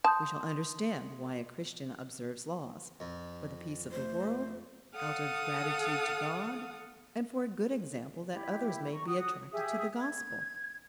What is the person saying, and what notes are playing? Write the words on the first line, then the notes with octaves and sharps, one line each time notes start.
We shall understand why a Christian observes laws: For the peace of the world, out of gratitude to God, and for a good example that others may be attracted to the Gospel.
A5 C6 D#6 G6
F2
A3 C5
A4 F5 F#5 D#6
E4 G4
A#5 C#6
F#4 D#6
G4 G#4 E5 D#6
G#6